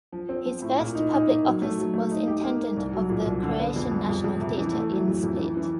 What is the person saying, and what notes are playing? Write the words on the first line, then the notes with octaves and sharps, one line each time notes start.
His first public office was intendant of the Croatian National Theatre in Split.
F3
C4
F3
A2
A#2
D#4
D#4
A#3
F#3
A3
F#3
A3
D#4
G4
A#3
A#3
C2
F#3
A#2
C2
D3
B3
F2
G3
F2
F2
C3
E3
A3
F#3
F2
F2
E3
E3